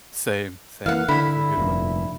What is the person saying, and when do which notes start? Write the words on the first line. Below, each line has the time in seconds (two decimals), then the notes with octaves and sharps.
Same, same. Have a good one.
0.86 E3 A#3 F5 F#5
1.08 D3 E4 B5
1.57 F1 G2 A#2